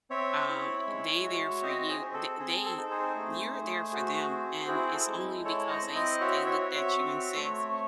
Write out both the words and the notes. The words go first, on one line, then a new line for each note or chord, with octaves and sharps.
Um, they there for you, the they you're there for them, and it's only because they s they looked at you and says,
C4 C#5 E5
E4
G#3
F#4
C4 C5 D#5
G#4
C4
A4
C4 G#4
A4
D#4
G#4 C5
A3
A3
F#4
C4
E4 G#4 C5
A4
G#3
E4 A4 C#5
C5 D#5
C4
C5 D#5
F#4 C#5 E5
C#5 E5
F#4
C#5 E5
C4
A3